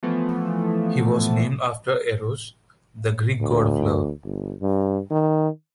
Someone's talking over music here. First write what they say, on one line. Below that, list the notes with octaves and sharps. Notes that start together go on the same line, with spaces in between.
He was named after Eros, the Greek god of love.
E3 F3 A3 B3
D2
G1
G2
D#3